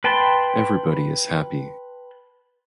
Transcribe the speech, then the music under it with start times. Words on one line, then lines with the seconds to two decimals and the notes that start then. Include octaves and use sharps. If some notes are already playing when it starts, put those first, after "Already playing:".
Everybody is happy.
0.04 B4 G5 A5 B5 C6